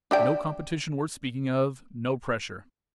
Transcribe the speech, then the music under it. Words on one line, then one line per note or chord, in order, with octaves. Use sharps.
No competition worth speaking of--no pressure.
D4 E5 G5